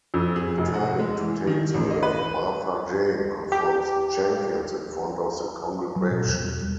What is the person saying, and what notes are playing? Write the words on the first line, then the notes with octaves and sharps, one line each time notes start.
Returning to Tatesville, Martha Jane confronts Jenkins in front of the congregation.
F2
G#4
F1
F#4
G#3
E3
D#3
A1
D#5
B4
G4
F#3
B2
E2
G3